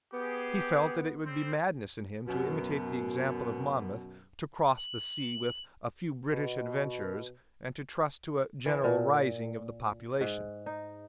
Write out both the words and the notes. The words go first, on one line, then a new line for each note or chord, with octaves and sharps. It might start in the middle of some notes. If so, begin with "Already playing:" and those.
He felt that it would be madness in him to imitate the example of Monmouth, to cross the sea with a few British adventurers, and to trust to a general rising of the population.
B3 G4 G#4
G3 C4 C5
F#2 B2
F#7
B2
E3
A#2
G#2
D#4